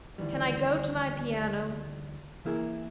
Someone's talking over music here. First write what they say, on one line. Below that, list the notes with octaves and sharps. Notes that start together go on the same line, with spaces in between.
Can I go to my piano?
D2 D#3 E3 G3
E3 A#3 E4 G#4 A#4